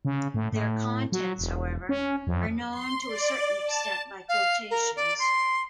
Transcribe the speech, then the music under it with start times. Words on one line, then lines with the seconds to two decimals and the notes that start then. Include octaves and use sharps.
Their contents, however, are known to a certain extent by quotations.
0.05 C#3
0.34 A2
0.53 A2
1.12 F#3
1.39 E1
1.89 C#4
2.27 F2
2.70 C6
3.07 D5
3.65 A5
4.29 F5
4.71 A#4
4.96 D5
5.19 C6